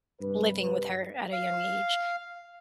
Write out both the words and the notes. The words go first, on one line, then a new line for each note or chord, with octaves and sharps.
living with her at a young age,
G2 C3 B4
F5